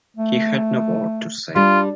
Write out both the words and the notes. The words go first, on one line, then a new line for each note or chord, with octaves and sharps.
He had no word to say.
A3
G3 D4 F4